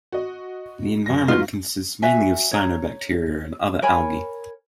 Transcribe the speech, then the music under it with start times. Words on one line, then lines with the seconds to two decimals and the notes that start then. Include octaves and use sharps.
The environment consists mainly of cyanobacteria and other algae.
0.12 F#4 D#5
1.06 F#2 A#6
1.28 F#3 G#3 B3 D#4 F4 F#4 F5
2.02 F#4 E5 G#5
2.51 C#5 A#5
3.82 A#4 C#5 G#5 B5